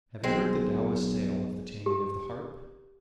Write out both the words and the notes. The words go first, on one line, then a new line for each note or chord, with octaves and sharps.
Have you heard the Taoist tale of the Taming of the Harp?
B1 G#3 C4
G4